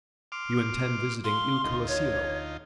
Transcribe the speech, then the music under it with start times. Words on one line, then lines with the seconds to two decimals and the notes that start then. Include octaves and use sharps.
"You intend visiting Il Colosseo."
0.32 C6 D6 F6
1.24 F5 C6
1.64 D2 D#4 F4
1.88 C#5